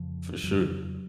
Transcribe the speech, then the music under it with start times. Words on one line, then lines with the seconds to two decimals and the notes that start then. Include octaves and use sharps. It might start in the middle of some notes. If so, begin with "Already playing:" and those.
For sure.
Already playing: F2 C#3 F3
0.43 F2 C#3 F#3